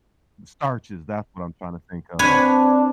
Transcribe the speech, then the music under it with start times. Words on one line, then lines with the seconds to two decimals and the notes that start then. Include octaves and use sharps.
starches, that's what I'm trying to think of.
2.19 C4 D4 B4 C#5 G#5